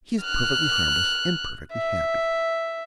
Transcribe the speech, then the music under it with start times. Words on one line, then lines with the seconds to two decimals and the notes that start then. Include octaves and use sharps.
He is perfectly harmless, and perfectly happy.
0.21 F6 F#6
1.72 E5